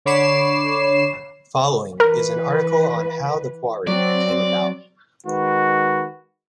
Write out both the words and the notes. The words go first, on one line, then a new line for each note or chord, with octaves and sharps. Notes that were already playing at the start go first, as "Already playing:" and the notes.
Following is an article on how the quarry came about.
D3 C#5 B5 D6 C7 E7
E3 A#4 B4
F#3 C4 D5
D#3 G#3 F#4 B4